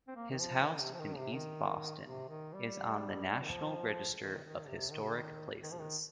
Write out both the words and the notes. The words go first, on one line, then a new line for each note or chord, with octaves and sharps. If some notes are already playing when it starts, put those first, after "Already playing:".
His house in East Boston is on the National Register of Historic Places.
C4
A#3
D#3
F3
D#3
C3
F3
D#3
C3
D#3
C3
D#3
G3
D#3
F3
D#3
D#3
C3
D#3
C3
D#3
D#3
F3
D#3